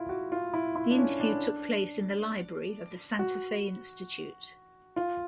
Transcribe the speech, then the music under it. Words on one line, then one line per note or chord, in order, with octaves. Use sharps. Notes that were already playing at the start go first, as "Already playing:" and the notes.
The interview took place in the library of the Santa Fe Institute.
Already playing: E4 F4
F#4
F4
E4
E4
D4
C#4
D4
F#4
F4